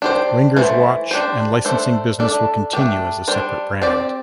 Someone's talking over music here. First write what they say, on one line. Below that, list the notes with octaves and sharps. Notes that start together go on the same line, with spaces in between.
Wenger's watch and licensing business will continue as a separate brand.
D4 G4 C5
E3 A3 C5
D4 G4 C5
A3 D4 A4 C5
A3 D4 A4 D5
A3 D4 G4
G3 D4 C5
C4 G4 D5